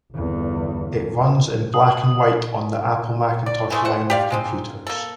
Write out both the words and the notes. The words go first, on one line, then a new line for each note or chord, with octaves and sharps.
It runs in black-and-white on the Apple Macintosh line of computers.
G1 E2
D#6
D5
E3 G#3 A3
C5 F#5
G4 D5 F5
G#3 C4 D#4
A#3 A4